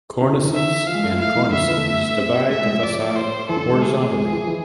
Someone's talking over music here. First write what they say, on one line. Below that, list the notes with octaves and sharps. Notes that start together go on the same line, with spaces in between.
Cornices and Cornices divide the facade horizontally.
D3
D3
E3
E5
F3 F5
G#3
A3
F4
E4 F5
A3
E3
D3 E5
F3
B3
A3
C4
B3
A3 E5
G#3
F3
D5
C5
E3 A4
D3
E3
G#3
A3 G#4
G#3
F3
E3
F3
E3